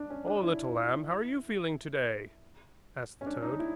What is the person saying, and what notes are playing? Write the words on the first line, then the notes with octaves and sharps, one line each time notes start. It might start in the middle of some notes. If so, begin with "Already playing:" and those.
"O, little lamb, how are you feeling today?" asked the toad.
Already playing: D4
C#4
D4
E4
C#4
D4
D#4
E4